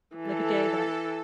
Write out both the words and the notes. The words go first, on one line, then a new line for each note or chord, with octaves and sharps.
like a day that,
E3 A4